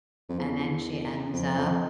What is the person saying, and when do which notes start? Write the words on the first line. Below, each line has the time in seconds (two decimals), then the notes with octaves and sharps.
and then she ends up
0.29 F2
0.39 E2
1.33 F2
1.58 F2